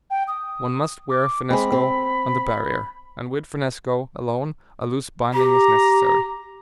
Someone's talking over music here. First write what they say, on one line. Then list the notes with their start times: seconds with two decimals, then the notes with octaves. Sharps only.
One must wear finnesko on the Barrier, and with finnesko alone a loose binding is necessary.
0.10 G5
0.28 D#6
1.10 D6
1.50 G#3 C4 B5
1.72 C4
5.34 G4 A#5